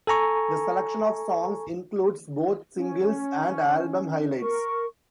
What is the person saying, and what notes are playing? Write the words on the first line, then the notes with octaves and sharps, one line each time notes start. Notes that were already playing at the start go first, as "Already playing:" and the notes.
The selection of songs includes both singles and album highlights.
A4 G#5 A#5 C#6
C#4
A#4 C#6